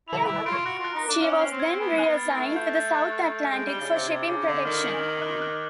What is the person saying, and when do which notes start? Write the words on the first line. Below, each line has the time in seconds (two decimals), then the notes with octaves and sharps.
She was then reassigned to the South Atlantic for shipping protection.
0.08 E4 F7
0.27 E4 D7
0.46 F4 D7
0.65 F#4 F#6
0.79 F4
0.84 F#6
0.94 D#4
1.03 F#6
1.08 D4
1.22 C#4 F6
1.41 C7
1.51 C4
1.60 G#6
1.79 B3 D7
1.98 F#6
2.08 B3
2.17 A6
2.36 A3 D7
2.56 G6
2.75 G6
2.94 A6
3.12 F#6
3.31 A6
3.51 G#3 D7
3.65 G3 G7
3.80 C#3
3.89 C3 G7
4.07 C3 G#6
4.27 C#3 D6
4.46 D3 G#6
4.65 D#3 F6
4.85 F#7
5.03 F#7
5.22 F#6
5.42 F#6